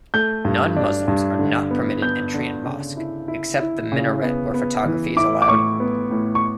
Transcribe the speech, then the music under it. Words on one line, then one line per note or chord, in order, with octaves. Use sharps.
Non-Muslims are not permitted entry in mosque, except the minaret where photography is allowed.
A3 G6
G2
D4
G2
D3
B3
B3 G6
D3
C#3
E4
E4
E4
C#3
B3
B3
E3
E4 D6
D6
A2 C#6
B3
A2
C#6